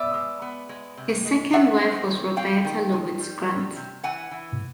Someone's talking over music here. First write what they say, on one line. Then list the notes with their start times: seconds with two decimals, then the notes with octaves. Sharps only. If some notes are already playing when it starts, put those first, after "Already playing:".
His second wife was Roberta Lowitz Grant.
Already playing: B3 D5 E5
0.14 G#3
0.42 B3
0.69 G#3
0.97 C3
1.25 G#3
1.53 D#3 E5 F#5
1.81 C4
2.09 D#3
2.36 C4 F5 G5
2.65 D#3
2.92 D#3
3.20 G3
3.48 G3
3.76 C3
4.03 E3 F#5 G#5
4.31 E3